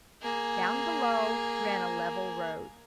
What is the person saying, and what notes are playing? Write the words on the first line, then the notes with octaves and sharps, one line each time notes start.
Down below ran a level road.
A#3 G#4